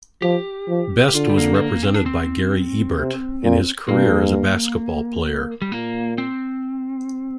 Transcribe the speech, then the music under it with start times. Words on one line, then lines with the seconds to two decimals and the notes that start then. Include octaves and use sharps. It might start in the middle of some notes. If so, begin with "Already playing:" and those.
Best was represented by Gary Ebert in his career as a basketball player.
0.22 F3 G4
0.68 F3
1.08 G4
1.14 D3 F4
1.29 G3
1.38 A#3
1.54 C4
1.61 A#3
1.83 C4
1.94 D4
2.06 C4
2.98 C3
3.43 A#2
3.89 G2 A#3
5.62 G3
5.72 A#2 A#3
6.18 C4